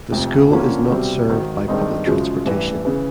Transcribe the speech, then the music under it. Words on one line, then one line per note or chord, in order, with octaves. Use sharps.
The school is not served by public transportation.
F1 F2 C3
F2 D3 F3 A#3 C#4
C2 B2 G3 C4
G#1 G#2 D#3 F#3
G2 D#3 G#3 C4 D#4
F#2 C#3 F3 G#3
A1 G2 E3
C#3 E3